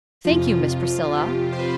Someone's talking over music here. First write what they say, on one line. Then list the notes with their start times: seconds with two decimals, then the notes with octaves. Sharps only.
"Thank you, Miss Priscilla."
0.25 F2 C3 F3 F4
1.14 F2 C3 F3 G4
1.53 C5
1.59 B4